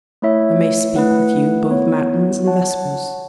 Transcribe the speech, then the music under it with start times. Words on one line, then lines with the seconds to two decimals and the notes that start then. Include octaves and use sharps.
I may speak with you both matins and vespers.
0.22 A3 E4 C#5 E5
0.96 A3 E4 B4 F#5
1.70 B3 E4 C#5
2.44 F#4 C#5 F#5 A5